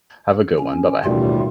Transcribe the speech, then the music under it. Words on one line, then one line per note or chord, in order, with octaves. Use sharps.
Have a good one. Bye-bye.
C#4
A1 D#2 B2 G3 A3 F4